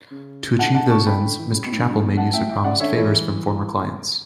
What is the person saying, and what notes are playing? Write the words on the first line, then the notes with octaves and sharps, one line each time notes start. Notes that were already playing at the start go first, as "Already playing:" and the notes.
To achieve those ends, Mr. Chapel made use of promised favors from former clients.
C#3
D3 F#5 A5
D3 F#5 A5
D3 A5 C#6
C#3 G5 B5
D3
E3
C#3
B2
A2
G2
G2
E2
F#2 F#5 A5
A2 E5 G5
E5 G5
C#3 D5 F#5
D3 C#5 E5
E3 A4 C#5